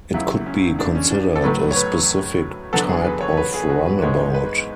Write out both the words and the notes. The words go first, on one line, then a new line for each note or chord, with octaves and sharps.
It could be considered a specific type of runabout.
C#2 C#3 F#3 E4
C#4
D4
C#4
D4
A4
A2 F#3 A3 B4
C#5
B4
E2 D3 F#3 B3 A4
G#4
B4
C#5
B4
G#4
F#4
B4
G#2 E3 G#3 B3 C#5
B4